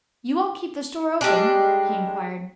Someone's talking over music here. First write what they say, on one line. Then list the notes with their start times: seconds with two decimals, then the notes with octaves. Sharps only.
"You won't keep the store open?" he inquired.
1.21 G3 G#3 D4